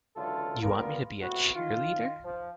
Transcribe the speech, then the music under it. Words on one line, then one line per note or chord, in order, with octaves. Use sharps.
You want me to be a cheerleader?
C#2 D3 E3 F#3 F4 A4
G2 D3 A#3 B3 F4 A#4
A2 C3 B3 E4 F#4
D#3 F4
F3